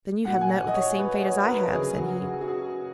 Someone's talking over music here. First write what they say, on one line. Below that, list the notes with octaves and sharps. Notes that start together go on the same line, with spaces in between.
'Then you have met with the same fate as I have,' said he.
A#2 F#3 F#5
G#5
F#5
D#5
C#5
B4
C#5
A#4
B4
C#3 F#3 G#4
F#4
F#4
F#4
G#4